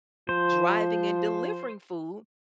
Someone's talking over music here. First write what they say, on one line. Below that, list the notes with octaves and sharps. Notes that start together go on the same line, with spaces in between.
driving and delivering food
F3 C5